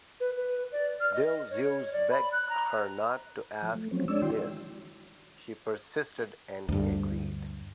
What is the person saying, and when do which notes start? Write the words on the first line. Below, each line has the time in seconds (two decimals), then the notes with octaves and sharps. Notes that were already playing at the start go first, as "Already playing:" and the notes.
Though Zeus begged her not to ask this, she persisted and he agreed.
0.20 B4
0.37 B4
0.72 D5
1.00 F6
1.14 D#5
1.51 C#5
1.93 D5
2.11 B5
2.32 F#6
2.49 A#5
3.63 F3
3.75 A3
3.91 F3 F#3 C4 C#4
4.08 G#3 D4 C#5 D5 E6
4.22 D#3 E4 F#4 G5 C6
6.69 D2 G2